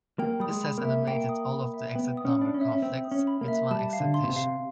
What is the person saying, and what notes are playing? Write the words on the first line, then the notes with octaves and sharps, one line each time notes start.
This has eliminated all of the exit number conflicts, with one exception.
A#3 G5
G3 D#6
G#3
B5
A#3
E5
A#3 G5
D#6
B5
E5
B3 G5
D#6
C#4
D4 B5
C#4
E5
C#4
C4 G5
D#6
C#4
B5
A#3
E5
G3 A5
F5
D3
C6
B2
C3
F5